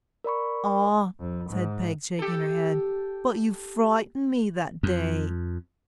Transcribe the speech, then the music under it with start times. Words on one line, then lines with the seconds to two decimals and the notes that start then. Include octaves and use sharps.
'Ah!' said Peg, shaking her head, 'but you frightened me that day.'
0.24 A#4 D5 B5 C#6
1.19 F2
1.49 G#2
2.19 G4 A4
4.83 F2